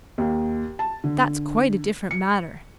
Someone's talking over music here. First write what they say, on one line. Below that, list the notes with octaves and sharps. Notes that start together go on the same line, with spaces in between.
"That's quite a different matter."
D#2
A5
D3
C#7